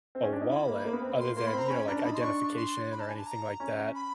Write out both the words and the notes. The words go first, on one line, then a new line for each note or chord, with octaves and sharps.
a wallet, other than, you know, like, identification or anything, like, that.
C4
C#4
D4
D#4
E4 B5
A#3
A#3
B3
C4
B3
A#3 C6
A#3 C6
B5
C4 A#5
C#4 B5
D4 A#5
A5
D#4 B5
C6
D4 C#6
C6
B5
A5
G#5
A5
A#5
C#4
B5